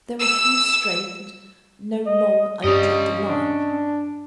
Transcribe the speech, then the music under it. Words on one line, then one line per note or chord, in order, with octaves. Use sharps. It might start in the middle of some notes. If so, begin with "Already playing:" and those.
There were few straight, and no long uninterrupted lines.
E6
D#5
G2 G3 C#4 D#5
D4